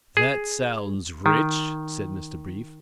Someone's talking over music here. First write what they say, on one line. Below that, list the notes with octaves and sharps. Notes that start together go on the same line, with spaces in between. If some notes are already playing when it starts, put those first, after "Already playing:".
"That sounds rich," said Mr. Brief.
G#4
D#3